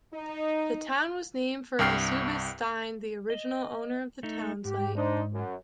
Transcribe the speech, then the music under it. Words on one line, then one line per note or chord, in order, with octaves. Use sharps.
The town was named for Eusebius Stine, the original owner of the town site.
D#4
C2 G2 G5 F6 C7
D#5
A3 D#4
G#2 G4
D4 D#4 C5
F#2